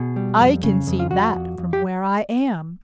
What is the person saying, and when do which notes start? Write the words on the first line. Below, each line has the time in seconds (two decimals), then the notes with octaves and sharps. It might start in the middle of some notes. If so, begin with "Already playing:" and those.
I can see that from where I am.
Already playing: B2 G#4
0.16 G3
0.40 F2
0.63 C#3
0.87 F2
1.00 F4
1.11 F2 F#4
1.35 F2
1.58 F2
1.73 G4